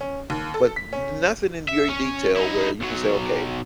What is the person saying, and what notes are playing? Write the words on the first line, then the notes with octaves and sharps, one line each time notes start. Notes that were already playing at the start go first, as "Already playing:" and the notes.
but n nothing in your detail where you can say, "Okay,
C#4
D#2
A4
B6
C#4
E5
C#4
D#4 E4
B1 F#3